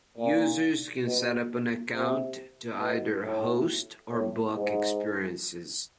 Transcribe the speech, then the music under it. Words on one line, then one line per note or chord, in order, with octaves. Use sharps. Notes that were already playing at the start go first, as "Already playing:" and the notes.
Users can set up an account to either host or book experiences.
A#2
B2
C3
B2
A2
A2
G#2